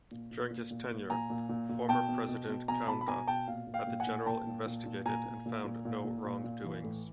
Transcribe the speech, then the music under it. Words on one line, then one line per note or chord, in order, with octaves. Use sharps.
During his tenure, former president Kaunda had the General investigated and found no wrongdoings.
A#2
A#2
A#2
A#2
A#2
A#2 G#5 A#5
A#2
A#2
A#2
B2 G5 A5
B2
B2
B2
B2 G#5 A#5
B2 A5 B5
B5
B2 G#5 A#5
B2 G5 A5
A#2 F5
A#2
F5 G5
A#2
F#5 G#5
A#2
A#2 G5 A5
A#2
A#2
A#2
A#2 G#5 A#5
A#2
A#2
A#2
A#2
A#2
A#2
A#2
E3
A2